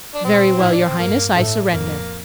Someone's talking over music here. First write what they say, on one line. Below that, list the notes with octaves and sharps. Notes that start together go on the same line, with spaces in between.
"Very well, your Highness, I surrender."
D4
A#2 C4
A2 E4
D4
C4
G2 A#3
A2 D3 F3 A3
F2 A#3